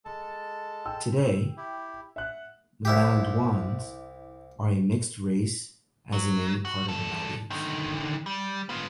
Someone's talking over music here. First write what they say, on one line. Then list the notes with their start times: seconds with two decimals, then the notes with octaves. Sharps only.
Today, the Manaduans are a mixed race as in any part of the Maldives.
0.05 G#3 A4 A5
0.86 G5 E6
1.57 E4 G4
2.16 E5 F#5 F#6
2.85 C2 E4 G4
6.13 F#3
6.65 F#4
6.88 G2 A4
7.50 D3 D#3
8.26 G3
8.69 B3 F4